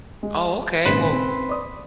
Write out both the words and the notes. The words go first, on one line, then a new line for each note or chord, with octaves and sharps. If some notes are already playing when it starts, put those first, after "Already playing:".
Oh, okay. Well
G#3
G#1 A#2 C#3 B4 C5
C4
D5 D#6